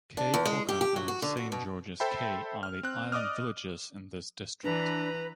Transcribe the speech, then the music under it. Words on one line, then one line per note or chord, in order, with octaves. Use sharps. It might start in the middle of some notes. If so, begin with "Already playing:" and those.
Caye Caulker and Saint George's Caye are the island villages in this district.
D4
E2
G#3
G4
G4
F#3
F#4
D3
F#4
B2
A4 C5 E5 G5 B5
F6
C4 F#6
D5 D#5 D6 D#6 F6
E3 D4 B4 A#5 B5